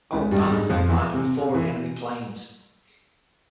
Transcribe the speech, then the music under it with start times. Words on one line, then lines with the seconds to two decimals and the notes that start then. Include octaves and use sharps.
"O'Bannon" fired on four of the enemy planes.
0.12 C#2 C#3
0.31 G2 G3
0.44 G3
0.50 G#2 G#3
0.70 F2 F3
0.88 E2 E3
1.14 C3
1.38 C3
1.54 E3